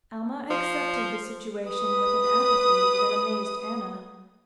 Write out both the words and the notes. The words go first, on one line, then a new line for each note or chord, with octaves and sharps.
Alma accepted the situation with an apathy that amazed Anna.
F3
B4 D#6